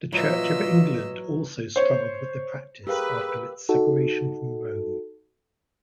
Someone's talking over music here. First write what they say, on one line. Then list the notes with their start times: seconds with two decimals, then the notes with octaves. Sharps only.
The Church of England also struggled with the practice after its separation from Rome.
0.12 A#2 E3 F#3 E4 F4 D#5 E6
1.76 C5 C#5
2.87 G4 G#4 A#4 B4 F5 E6
3.69 D#4 F#4 A4